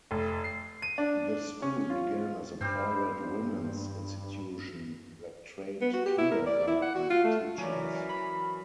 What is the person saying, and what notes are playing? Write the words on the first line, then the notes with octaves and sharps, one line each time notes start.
The school began as a private women's institution that trained kindergarten teachers.
F1
C7
D#7
D4
C#4
F4
G2 G3 C4 C5
B3
F#4
G4
E4
A#4
D5
E4
F#5
F#4
F4
A3
E3 F#3 C#4 A#4 D5
B5